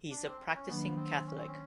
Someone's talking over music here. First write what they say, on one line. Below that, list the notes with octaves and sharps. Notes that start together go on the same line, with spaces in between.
He's a practising Catholic.
D4
C4
C#4
D#3 F#3 A#3 B3 D4
C4
C#4
C4
C#4